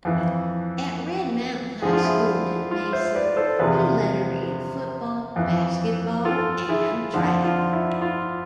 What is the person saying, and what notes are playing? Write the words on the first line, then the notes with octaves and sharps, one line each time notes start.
At Red Mountain High School in Mesa, he lettered in football, basketball, and track.
F2 E3
F2 D3 F3 G#4
F4
E4 G#4
F4
C5 E5
B4 D5
A4 C5
E2 C3 F3 G#4 B4
F2 E3
F4 A4
E4 G#4
F2 D3 F3 F4
F4
E4
F4